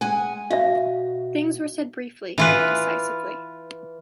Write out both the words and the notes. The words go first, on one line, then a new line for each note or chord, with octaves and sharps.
Things were said briefly, decisively.
G#3 F#5 G#5
B2 F#4 E5 F5
E3 F4 B4